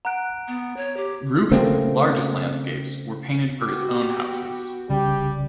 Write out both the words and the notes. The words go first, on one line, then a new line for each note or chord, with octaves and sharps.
Rubens' largest landscapes were painted for his own houses.
F#5 A#5 F#6 D7
B3
C#5
G4
C#3 A3 A#3 C4
B3 F#4 G4 D6
C2 C#3 G3 G4